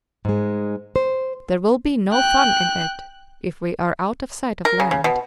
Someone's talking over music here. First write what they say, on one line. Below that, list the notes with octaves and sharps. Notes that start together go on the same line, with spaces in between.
"There will be no fun in it--if we are out of sight of land."
G#2 G#3
C5
G5 F#6
A#4
C#3
C#3
B2